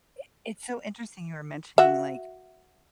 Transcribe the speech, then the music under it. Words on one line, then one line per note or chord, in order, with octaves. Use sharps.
I it's so interesting you were mentioning, like,
F#4 E5